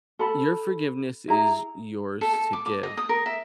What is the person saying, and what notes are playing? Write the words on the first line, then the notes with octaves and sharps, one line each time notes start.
your forgiveness is yours to give,
A4 A5 B5
E4 G#4 A#5
A4
A4
D6
D6
D#5
D#6
A#4
E5